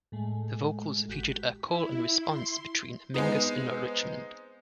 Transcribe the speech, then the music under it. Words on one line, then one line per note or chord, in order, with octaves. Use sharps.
The vocals featured a call-and-response between Mingus and Richmond.
A2 G#3 A3
G#1 F#4 G4 B6
E4
C6
G#3 B3 C4 D#4